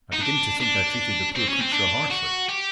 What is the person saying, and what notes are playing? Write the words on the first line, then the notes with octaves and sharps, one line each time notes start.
I begin to think I treated the poor creature harshly.
D#4
D4
D4
C4
C#4
C4
D4
F#4
G4